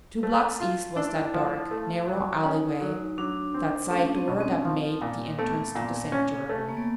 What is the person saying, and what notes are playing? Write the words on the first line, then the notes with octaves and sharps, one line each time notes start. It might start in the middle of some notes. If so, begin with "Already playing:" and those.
Two blocks east was that dark, narrow alleyway, that side door that made the entrance to the Sanctuary.
A3
F4
D4 E4
F3
A3
F#3
C#4 D#4
F#3
F#3 D4
C4
A3 C#4
C4
B2
C4
F3
A#2
A3 B3
A#2
C#4
A3
A#3
B3